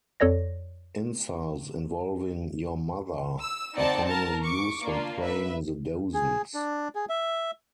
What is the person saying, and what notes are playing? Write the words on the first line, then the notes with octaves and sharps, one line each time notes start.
Insults involving "your mother" are commonly used when playing the dozens.
F2 A4 C#5 D5 A#6
E6
C4 D#4 D5 F#5 A5
A#4 A5
C#6 D6
A#3 D4 F4
B4 E5
G#4
D4
G#4
E5